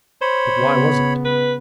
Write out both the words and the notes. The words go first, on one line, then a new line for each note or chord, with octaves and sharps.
But why was it?
C5 C#5 B5
C#3 B3
B4